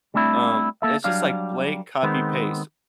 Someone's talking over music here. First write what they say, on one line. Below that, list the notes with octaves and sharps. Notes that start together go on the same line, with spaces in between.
Um, it's just, like, blank, copy, paste,
G3 A3 C4 D4 E4
A#3 A4 E5
F#3 G3 D4 F5
D#3 G#3 B3 C4